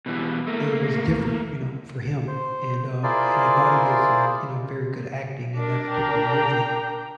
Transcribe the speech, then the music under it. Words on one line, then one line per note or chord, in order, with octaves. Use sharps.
it was different, you know, for him. And, uh, and I thought he did some, you know, very good acting in that particular movie.
B2 E3 G3
A3 A#3
C5
E4 F4 G#4 A#4 C5 D5
D4 A#4
G5 A#5